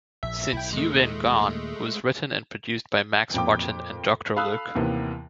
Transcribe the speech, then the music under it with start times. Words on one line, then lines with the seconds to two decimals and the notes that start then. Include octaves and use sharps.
"Since U Been Gone" was written and produced by Max Martin and Doctor Luke.
0.23 A#1 E5
0.53 B1 E4 G5
0.73 D#2 A#2 D#3 G#3 A3
3.34 F2 A#2 G5 D6
4.36 A4 F5 B5 D#6 E6 F#6
4.75 D#2 C3 E3 A#3 B3